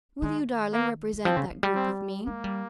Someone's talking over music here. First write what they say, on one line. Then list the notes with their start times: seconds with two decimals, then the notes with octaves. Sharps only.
"Will you, darling, represent that group with me?"
0.22 D#3 G#3
0.73 A#3
1.13 D#3
1.25 F3 C4
1.37 C#3
1.50 F3
1.63 G3
1.75 C4
2.26 G#3 A#3
2.44 G3